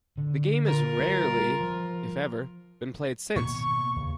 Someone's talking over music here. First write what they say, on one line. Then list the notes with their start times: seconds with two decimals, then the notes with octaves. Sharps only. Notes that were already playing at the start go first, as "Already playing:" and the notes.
The game has rarely if ever been played since.
0.18 D3
0.65 F4 A#4
0.99 G3 B3
1.61 F3
3.36 B2 D#3 A#3 C#6
3.96 D#2 C#3